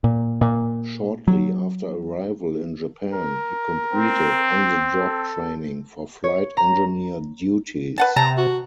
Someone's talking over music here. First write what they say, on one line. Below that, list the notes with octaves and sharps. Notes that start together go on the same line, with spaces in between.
Shortly after arrival in Japan, he completed on-the-job training for flight engineer duties.
A#2
A#2
F#3
A#4
C4
A4
C#5
A#5
B4 F#5 A5
C3 A5 A#5
F#4